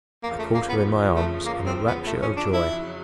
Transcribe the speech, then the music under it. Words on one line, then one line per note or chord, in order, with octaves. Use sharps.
I caught her in my arms in a rapture of joy.
E2 C#3 F3 A#3
A3
A#3
B3
A3
A#3
C4
B3
A3
C#4
D4
E4
F2 C#3 F#3